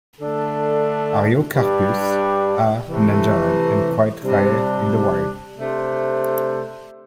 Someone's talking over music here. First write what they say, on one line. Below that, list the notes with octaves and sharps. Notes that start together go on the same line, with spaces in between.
"Ariocarpus" are endangered and quite rare in the wild.
D3 A3 D4 A4
G2 G3 D4 G4
C3 E3 A3
C3 G3 D4
C3 A3 D4 C5